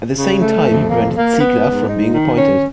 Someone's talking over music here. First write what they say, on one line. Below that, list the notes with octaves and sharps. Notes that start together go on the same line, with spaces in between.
At the same time, he prevented Ziegler from being appointed.
C#3
A3
F2
A#3
A#3
B3
G#2
D#4
D#3
C#4